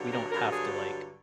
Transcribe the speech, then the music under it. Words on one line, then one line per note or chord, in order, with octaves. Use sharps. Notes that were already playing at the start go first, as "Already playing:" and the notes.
we don't have to like
Already playing: G2 D3 F#3
A#4
G2 D3 F#3 A#4
G#4